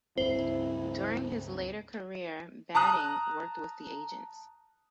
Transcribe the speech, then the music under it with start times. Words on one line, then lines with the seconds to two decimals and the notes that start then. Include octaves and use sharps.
During his later career, Badding worked with the Agents.
0.18 C#2 G2 C4 E4 C5
2.75 A5 A#5 D#6 F#6